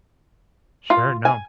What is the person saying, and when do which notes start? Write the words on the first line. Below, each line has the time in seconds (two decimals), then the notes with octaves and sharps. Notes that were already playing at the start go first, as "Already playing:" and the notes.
Sure, no.
0.90 F4
1.25 G#5